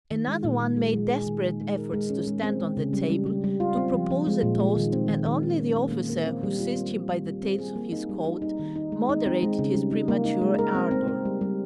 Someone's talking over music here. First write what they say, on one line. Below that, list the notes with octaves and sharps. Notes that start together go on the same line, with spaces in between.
Another one made desperate efforts to stand on the table, to propose a toast, and only the officer, who seized him by the tails of his coat, moderated his premature ardour.
D#3
G#3
A#2
G#3
G#3
G#3
G#4
D#3
D#3
G#3
A#4
G#3
C#4
G#3
C4
G#3
C#3
G3
G3
G3
G3
F4
C4
F3
F3
G#3
A#2
G#3
D#3
C4
D#3
D#3
D#3
C#4
A#3
A#3
A#3
C4
G3
F4
C4
G3
G3
G3
C4
G#4
A#3
D#4
G3
D#4
D#4
D#3
D#4
G#3
D#4
C4
G#3
C#3
G3
D#4
A#3
D#4
G#3
A#4
C4
C4
C4
G3
G3